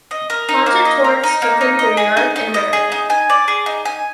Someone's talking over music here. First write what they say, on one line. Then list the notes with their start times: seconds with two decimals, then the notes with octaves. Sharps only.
Concert tours took him through Europe and America.
0.11 D#5
0.30 A#4
0.49 D#4
0.66 A#3
0.85 D#5
1.04 A#4
1.24 D#4
1.42 A#3
1.61 D#4
1.79 D#5
1.97 G#4
2.17 D#4
2.36 D#4
2.54 D#5
2.73 G#4
2.92 D#4
3.10 G#5
3.30 D5
3.48 G#4
3.66 D#4
3.85 G#5